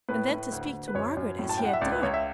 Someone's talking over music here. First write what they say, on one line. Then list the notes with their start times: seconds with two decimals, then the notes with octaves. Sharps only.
And then to speak to Margaret as he had done!
0.09 A2 B4
0.30 A2
0.52 D2
0.73 D2
0.88 B4
0.95 F#2 C#5
1.17 F#2
1.39 A2
1.49 A5
1.58 A2 G5
1.65 F#5
1.73 E5
1.81 C#2 D5
1.92 B4
2.03 C#2 C#5
2.14 E5